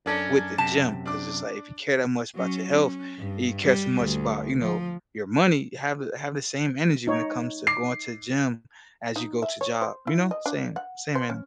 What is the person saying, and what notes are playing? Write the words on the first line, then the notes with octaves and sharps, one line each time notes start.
with the gym. 'Cause it's, like, if you care that much about your health, and you care so much about, you know, your money, have the have the same energy when it comes to going to the gym, as you go to job. You know? Same same energy.
F#2 C#4 D4 A4 D5
F#2 C3 A5
D4 D6
F#3 C#4
C#4
G2
G3
D2
F3
D#4 C#5
D6 C7
D#4
E5
C#5
C5
E4
D#5
D4
F#5
C5
C#4